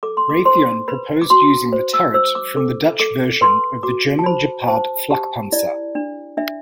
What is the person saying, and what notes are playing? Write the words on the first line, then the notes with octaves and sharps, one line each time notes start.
Raytheon proposed using the turret from the Dutch version of the German Gepard flakpanzer.
A4 D6
C6
D6
C5 C6
B4 B5
D6
F#4 C6
C5
E6
C5 E6
D6
A4 D6
A4 D6
B4 C6
F#4 D6
A5
C5 B5
C5 A5
G4 A5
E4 D5
D4
D4 E5